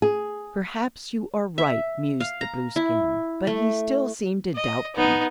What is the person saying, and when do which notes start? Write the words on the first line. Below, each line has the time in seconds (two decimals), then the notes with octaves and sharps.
"Perhaps you are right," mused the Blueskin; but he still seemed to doubt them.
0.02 G#4
1.58 E5
2.20 F5
2.41 A#5
2.76 E4
3.47 A3
4.56 D#5
4.96 B3 D#4